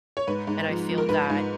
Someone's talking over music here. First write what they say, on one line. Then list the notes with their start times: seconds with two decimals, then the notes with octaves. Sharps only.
And I feel that
0.17 C#5
0.27 G#2 B4
0.47 G#2
0.68 F3
0.89 F3
0.98 A#4
1.09 G#2 B4
1.30 G#2